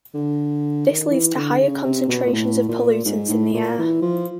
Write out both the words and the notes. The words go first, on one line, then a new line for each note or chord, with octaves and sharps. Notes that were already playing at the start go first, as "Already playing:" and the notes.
This leads to higher concentrations of pollutants in the air.
D3
D#3
E3
D3
C#3
C3
B2
A#2
A2
A#2
G#2
A2
A#2
E3
F3